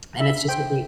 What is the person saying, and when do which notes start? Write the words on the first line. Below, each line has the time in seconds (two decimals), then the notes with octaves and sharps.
and it's just a great
0.20 D4 E5
0.49 C5 G5